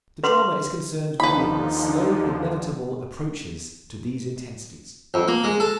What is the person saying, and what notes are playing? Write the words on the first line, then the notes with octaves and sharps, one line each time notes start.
The drama is concerned with the slow, inevitable approaches to these intensities.
B4 C6
D#2 D3 F3 D#4 B4 B5
F2
A#3
G#3
A4